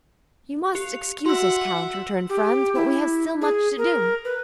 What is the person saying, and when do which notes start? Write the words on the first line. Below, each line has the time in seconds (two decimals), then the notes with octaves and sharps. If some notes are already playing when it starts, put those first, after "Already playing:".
"You must excuse us, count," returned Franz, "but we have still much to do."
0.75 G4 C#7 F7
1.26 F#4 E5 F#5 C6 E6
2.29 G4
2.75 E4
3.41 G#4
3.78 A#4
4.25 B4